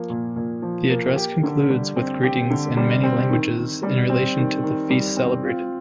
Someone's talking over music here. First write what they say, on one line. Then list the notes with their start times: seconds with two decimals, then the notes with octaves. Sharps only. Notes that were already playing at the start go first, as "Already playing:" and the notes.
The address concludes with greetings in many languages in relation to the feast celebrated.
Already playing: F3 A#3
0.10 A#2
0.36 A#2
0.62 F3
0.89 A#3
1.16 G4
1.43 D3
1.70 G3
1.96 C4
2.23 G4
2.50 D3
2.77 G3
3.03 C4
3.30 D#3
3.57 D#3
3.83 G3
4.10 C4
4.37 D#3
4.63 D#3
4.90 G3
5.17 C4
5.44 F4